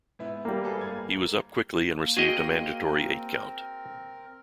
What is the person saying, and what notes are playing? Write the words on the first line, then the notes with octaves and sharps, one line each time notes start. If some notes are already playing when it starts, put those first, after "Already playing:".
He was up quickly and received a mandatory eight-count.
G#2 B3 E4
G3 A#3
G#4 A4 B4
G1 F5 G#6
A#3
C4 F#4 G#4 A#4 D#5 G5